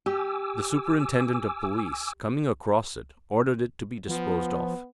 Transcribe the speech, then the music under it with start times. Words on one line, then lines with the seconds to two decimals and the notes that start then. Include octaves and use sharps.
The Superintendent of Police, coming across it, ordered it to be disposed of.
0.06 G4 G#5 D6 E6
4.09 F3 B3